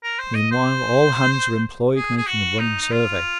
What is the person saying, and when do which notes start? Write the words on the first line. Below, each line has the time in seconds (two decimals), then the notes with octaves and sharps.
Meanwhile all hands are employed making a running survey.
0.03 A#4
0.18 C5
0.35 D#5
0.51 C5
1.95 G#4
2.17 G#4
2.27 F#4
2.59 D#4
2.81 D#4
2.91 F4